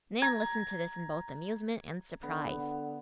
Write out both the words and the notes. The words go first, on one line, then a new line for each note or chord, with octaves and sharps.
Nan listened to this in both amusement and surprise.
A#5 G#6
D3 B3